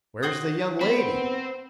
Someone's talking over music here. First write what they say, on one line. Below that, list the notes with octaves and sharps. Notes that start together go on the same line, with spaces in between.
"Where's the young lady?"
F#4 C5 D#6
B3 C4 B5